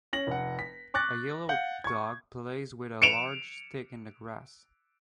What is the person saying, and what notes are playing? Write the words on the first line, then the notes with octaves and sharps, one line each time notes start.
A yellow dog plays with a large stick in the grass.
C#4 A#6 F#7
F1 F#5
B6
C#6 D6 F#6 A6 A#6
F5 F#5 G6
C#6 G#6
C#7 D7 E7 F7